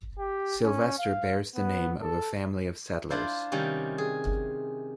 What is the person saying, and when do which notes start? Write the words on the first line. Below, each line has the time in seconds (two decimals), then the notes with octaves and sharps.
Sylvester bears the name of a family of settlers.
0.19 G4
0.64 C#4
0.98 F5
1.56 B3
2.02 A4
3.10 D4 E4 F4 C5
3.52 C3 D#3 G3 C#4
3.98 G#4